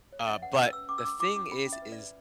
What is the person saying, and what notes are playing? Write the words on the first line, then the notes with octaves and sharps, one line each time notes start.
uh, but the thing is is
C#5
D5
C#4 E5
B4 F#5
C#4 E6
B4 E6
C#4 D6
E6
C#4 D6
E4 D6
C#4 D6
C#4 B5
C#4
E5
B4
D5
B4